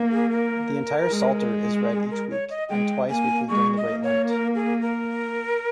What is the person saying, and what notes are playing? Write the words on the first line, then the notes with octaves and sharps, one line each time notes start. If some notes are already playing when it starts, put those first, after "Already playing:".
The entire psalter is read each week, and twice weekly during Great Lent.
Already playing: A#3
G#4
A#4
G#3
G#4
A#4
C#5
D#5
G#3 G5
A#3 G#5
G#3 C#6
D#5
A#3
C#5
A#4
G#4
A#4